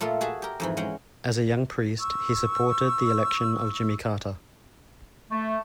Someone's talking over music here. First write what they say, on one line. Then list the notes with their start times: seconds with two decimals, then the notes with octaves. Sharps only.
As a young priest, he supported the election of Jimmy Carter.
0.01 A#2 A3 F4 A4
0.21 F#4 G#4 E5 A5
0.42 G4 A#4
0.60 F2 G#2 E3
0.77 G#3 C#4 F#5 G5
1.98 C#6 E6
5.31 A3